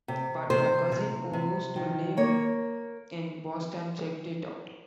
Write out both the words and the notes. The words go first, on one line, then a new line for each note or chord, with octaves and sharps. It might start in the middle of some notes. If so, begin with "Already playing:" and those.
But, my cousin, who used to live in Boston, checked it out.
C3
C3 C5
C3
C3
D#3
A#3 C#5